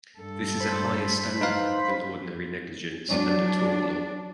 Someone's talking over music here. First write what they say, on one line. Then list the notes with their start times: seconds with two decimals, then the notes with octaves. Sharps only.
This is a higher standard than ordinary negligence under tort law.
0.19 G2 A4
0.60 C5 B5
1.41 D#4 B4 F5
3.08 F#3 D4